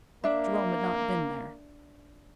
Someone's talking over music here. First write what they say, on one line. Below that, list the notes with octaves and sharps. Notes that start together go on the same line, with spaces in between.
Jerome had not been there.
A#3 D4 E5